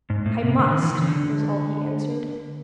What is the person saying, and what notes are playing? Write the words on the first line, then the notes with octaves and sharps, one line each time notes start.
'I must,' was all he answered.
G#2
A2
C3
D3
D#3
E3
D#3
C#3
D3